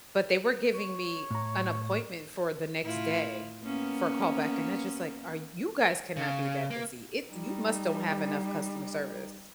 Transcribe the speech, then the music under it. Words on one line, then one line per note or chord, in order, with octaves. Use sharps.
but, they were giving me an appointment for the next day for a callback and that's just, like, "Are you guys cannot be that busy. It you must don't have enough customer service."
C#5
A2 A#5
A2 E4 F4
A#3 B3 C#4
C#3
A#3
G3 D#4